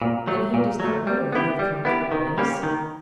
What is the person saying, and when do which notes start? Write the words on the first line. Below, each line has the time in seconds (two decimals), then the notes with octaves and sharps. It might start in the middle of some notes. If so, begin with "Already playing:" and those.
"Then he does not know you have come for the police?"
0.02 A#2
0.28 F#3 A3
0.54 A#2
0.80 F#3
0.85 A3
1.07 G3
1.32 B3 E4 G4
1.59 G3
1.85 B3 E4 G4
2.12 D#3
2.38 G3 A#3 C#4
2.63 D#3